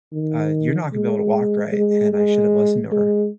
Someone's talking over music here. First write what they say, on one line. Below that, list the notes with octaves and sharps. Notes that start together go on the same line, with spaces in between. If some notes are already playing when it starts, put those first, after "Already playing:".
uh, you're not gonna be able to walk right," and I should've listened to her.
D#3
G#3
G#3
G#3
G#3